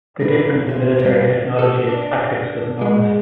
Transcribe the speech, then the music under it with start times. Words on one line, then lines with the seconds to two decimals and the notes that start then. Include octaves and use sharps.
The difference in military technology and tactics was enormous.
0.20 D#4 E4 F#4 G4 A#4 B4
0.67 D#2 A#3 F4 G#4 E5
1.04 G3 A#3 C4 D4 F#4 B4
1.59 A4
1.89 D4
2.81 G#3